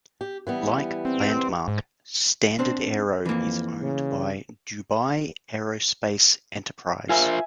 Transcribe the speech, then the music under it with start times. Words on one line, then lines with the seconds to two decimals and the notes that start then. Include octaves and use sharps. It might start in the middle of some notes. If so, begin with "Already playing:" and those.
Like Landmark, StandardAero is owned by Dubai Aerospace Enterprise.
0.21 G4
0.47 E3 G3 B3
1.05 C4
1.68 G#2
2.59 C4 D4 C5
3.25 F2 E3 A#3
3.81 C#3
7.09 F4 A#4 C5 E5 G#5